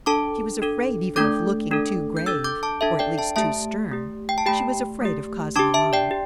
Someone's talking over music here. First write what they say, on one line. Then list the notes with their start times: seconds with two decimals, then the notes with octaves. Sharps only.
She was afraid even of looking too grave, or at least too stern; she was afraid of causing alarm.
0.06 D4 A4 A5 D6
0.62 D4 A4
1.16 A3 D4 A4 D6 G6
1.71 A3 D4 A4
2.17 G6
2.26 D4 A4 E6 A6
2.44 D6 G6
2.63 A5 D6
2.81 D4 A4 E5 A5
2.99 D5 G5
3.18 E5 A5
3.36 A3 G4 E5 A5
3.92 A3 G4
4.29 G5
4.38 A5
4.46 A3 G4 G5 B5
5.01 A3 G4
5.56 D4 A5 D6
5.59 G4
5.74 E5 A5
5.93 D5 G5
6.11 G4